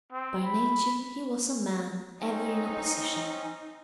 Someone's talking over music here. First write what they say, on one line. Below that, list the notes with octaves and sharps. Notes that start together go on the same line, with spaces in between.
By nature he was a man ever in opposition.
C4
B5
C4 C#4 D#4